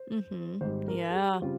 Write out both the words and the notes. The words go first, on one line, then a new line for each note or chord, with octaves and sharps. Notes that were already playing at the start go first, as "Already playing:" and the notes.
Mhm. Yeah.
Already playing: C5
G#1 G#2 G3 C5
A#4
G#4
G4
C#3 G3 C4 F4